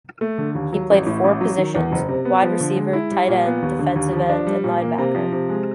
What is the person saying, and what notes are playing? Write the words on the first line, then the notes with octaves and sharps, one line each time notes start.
He played four positions-wide receiver, tight end, defensive end and linebacker.
A3
D3
D#2
F#3
A1
A2
A1
F#3
D#3
E2
F#1
C3
B3
F3
D3
G#3
E4
G3
A#2
B3
D#2
D3
D#2
F3
D4
G3
A#2
A#3
C3
F3
C3
G#3